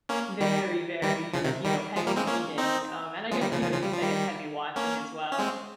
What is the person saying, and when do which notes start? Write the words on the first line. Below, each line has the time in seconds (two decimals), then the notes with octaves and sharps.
very, very, you know, heavy reading, um, and I guess, you know, you could say it's heavy watching as well,
0.09 A#3 C#4
0.40 D#3 G3
1.02 D#3 G3
1.33 C#3 F3
1.44 C3 D#3
1.64 D#3 G3
1.96 F3 G#3
2.07 G3 A#3
2.16 G#3 C4
2.27 A#3 C#4
2.58 C4 D#4
3.31 F3 G#3
3.41 D#3 G3
3.52 C#3 F3
3.62 C#3 F3
3.73 C#3 F3
3.82 G3
3.92 F3
4.02 D#3 G3
4.76 A#3 C#4
5.32 C#4
5.39 G#3 C4